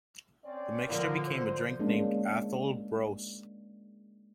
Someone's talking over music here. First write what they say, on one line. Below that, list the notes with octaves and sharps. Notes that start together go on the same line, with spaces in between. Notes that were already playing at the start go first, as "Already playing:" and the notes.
The mixture became a drink named Atholl Brose.
C4 C#4 D5
D3 F3 A#3 A#4
C5
G#3 A#3 C#4 D4